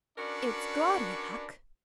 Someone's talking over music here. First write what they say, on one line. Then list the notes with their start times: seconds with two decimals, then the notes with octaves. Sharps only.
It's gaudy, Huck.
0.18 C#4 D4 F#4 A#4 B4 D5